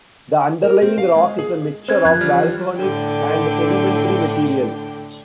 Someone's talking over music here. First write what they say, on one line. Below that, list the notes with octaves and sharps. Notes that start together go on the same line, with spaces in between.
The underlying rock is a mixture of volcanic and sedimentary material.
A#4
C4
F5
G#3
G#4
C4 C#4 C5 G#6
F2 F3 F#6 G#6
E3 G3 F6
A2 D3 D4 G5